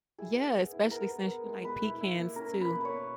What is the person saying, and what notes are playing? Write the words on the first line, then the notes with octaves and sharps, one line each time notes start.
Yeah, especially since you like pecans, too.
E4 G#4
B3
B3
E4
B3 A#4
B3
B3
G#3
B2 B4
E4
E4
A#3
C#4 A#4
B2
B4
A#3
B4 C#5
B2